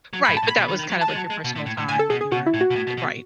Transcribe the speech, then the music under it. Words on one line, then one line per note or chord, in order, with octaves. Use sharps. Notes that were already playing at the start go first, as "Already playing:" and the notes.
Right. But that was kind of like your personal time that you were Eh, right.
F#3
G#2 B5
A5
A2
B5
B2
D#3
D#3
F#3
A5
G#3
F#3
G#3
B2
A2
A2
A2
A2 G#5
A4
B2 G#4
G#4
B2 F#4
E4
A2
F#4
B2
A2
B2
B2